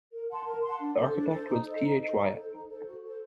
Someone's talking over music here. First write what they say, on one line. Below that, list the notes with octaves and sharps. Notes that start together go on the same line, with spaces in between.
The architect was T. H. Wyatt.
A#4
F#5 A5 C6
A#4
F#5 A5 C6
D4
A4 C5
D4
A4 C5
D#4
A4 C5 D#5
D#4
A4 C5 D#5
D#4
A4 C5
D#4
A4 C5
F#4
A4 C5